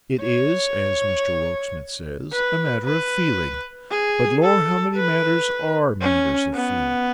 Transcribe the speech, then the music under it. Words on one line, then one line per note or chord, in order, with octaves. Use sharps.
It is, as Mr Rokesmith says, a matter of feeling, but Lor how many matters ARE matters of feeling!
C#5
B4
B4
G#4
A4
B4
C#4
B3